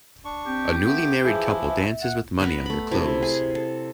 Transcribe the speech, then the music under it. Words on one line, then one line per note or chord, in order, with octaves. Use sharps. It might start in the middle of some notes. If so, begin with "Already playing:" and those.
A newly married couple dances with money on their clothes.
D4 C#6
C4 G4
A3 B3
E3 F3 E4 G#4
E5
F#5
B3 A#4 B4 B5
A3 B5
C3 E4 A5
G#4
A4